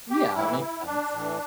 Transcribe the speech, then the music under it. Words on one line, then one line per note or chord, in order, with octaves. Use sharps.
Yeah, makes sense.
G4
A2 E3 E4
E4
D4
A2 E3